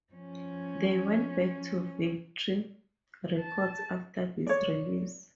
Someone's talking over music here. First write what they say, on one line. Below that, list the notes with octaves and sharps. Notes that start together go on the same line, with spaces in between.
They went back to Victory Records after this release.
F3 C#4
A5
C#5 D5